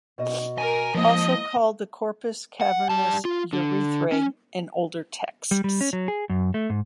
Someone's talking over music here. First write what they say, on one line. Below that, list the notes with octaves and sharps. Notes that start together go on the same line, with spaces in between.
Also called the corpus cavernous urethrae in older texts.
B2 F#4 D#5
A#4 G#5
F3 G#3 A#3 E4 D#5
F#5
G3 A5
F4
D3
C#4
G3
G3
C#4
F#3
G#4
F#2
A3
G#2